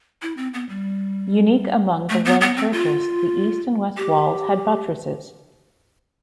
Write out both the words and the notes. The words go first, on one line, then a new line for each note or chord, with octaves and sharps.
Unique among the Wren churches, the east and west walls had buttresses.
E4
C4
B3
G3
A3
B3
B3
C4
F4
G4